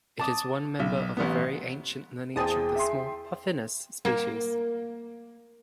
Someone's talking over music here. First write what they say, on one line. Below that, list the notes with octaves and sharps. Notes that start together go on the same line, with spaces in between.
It is one member of a very ancient lineage of the small "Puffinus" species.
A5 D6 D#6
B1
A1 B3
E2 G#4 C5 G5 A5 D#6
E5 G5 C6
A#3